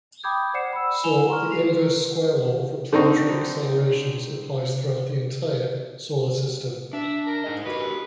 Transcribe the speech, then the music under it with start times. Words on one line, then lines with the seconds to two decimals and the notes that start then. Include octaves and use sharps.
So the inverse square law for planetary accelerations applies throughout the entire solar system.
0.24 G5 B5 D6 D#6 G6 G#6
0.54 C5 D5 F#5 C7 C#7 E7
0.73 B5 E6
1.03 E4 G#5 E7 F7 G7
1.28 A#5 C6 C#6 F6
1.50 C7 F7
2.93 D3 C4 D#4 C#6
6.93 D4 E5
7.26 A#4
7.44 D#4 G#4 D#5
7.66 F#4 G4 A#4 B4